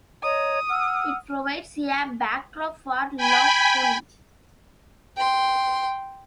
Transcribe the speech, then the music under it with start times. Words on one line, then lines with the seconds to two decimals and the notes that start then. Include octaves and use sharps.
It provides a backdrop for Lough Coolin.
0.23 C#5 D#5 A#5 D#6
0.69 F#5 E6 F6
3.17 G5 G#5 B5
5.16 G5 C6